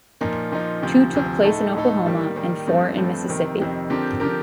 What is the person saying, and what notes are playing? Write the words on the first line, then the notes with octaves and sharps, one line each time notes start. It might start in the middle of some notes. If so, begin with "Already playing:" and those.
Two took place in Oklahoma and four in Mississippi.
A#2 F3 A#3 D#4 A#4
A#2 F3 A#3 D#4 A#4
D2 C3 F3
D2 C3 F3
A2 A3 D#4 A4
A2 A3 D#4 A4
D#3 G3 A#3
D#3 G3 A#3
G2 F3 A3 C4
G2 F3 A3 C4
F2 C3 D#3
F2 C3 D#3
D3 F3 C4 G4 A#4
D3 F3 C4 G4 A#4